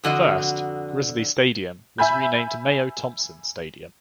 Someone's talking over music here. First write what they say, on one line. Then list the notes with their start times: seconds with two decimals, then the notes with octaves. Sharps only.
First, Grizzly Stadium was renamed Mayo-Thompson Stadium.
0.04 F2 D3 F#4 D#5
1.98 E5 G#5 B5 G6